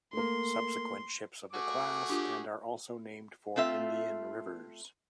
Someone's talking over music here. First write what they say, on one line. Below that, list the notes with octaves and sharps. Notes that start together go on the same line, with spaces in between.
Subsequent ships of the class, and are also named for Indian rivers.
A3 A#3 C6
A3 F#4 G#4 D6
D4 F4 G4
A3 C4 F4 E5